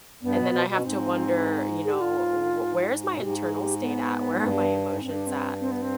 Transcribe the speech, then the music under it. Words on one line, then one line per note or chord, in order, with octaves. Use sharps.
and then I have to wonder, you know, uh, "Wh where's my internal state at? Where are my emotions at?"
G2 B3
B2
B2
B2
D4
G#2 C4
G#4
G4
G#2 F4
B2
G#2 G4
G#4
G#4
G4
B3
G2
G#2
G2 C4
D4
C4
C4
B3
C4